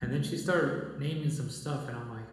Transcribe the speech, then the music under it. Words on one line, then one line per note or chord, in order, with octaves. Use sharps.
And then she started naming some stuff, and I'm like
C#2 D#3 G3 A3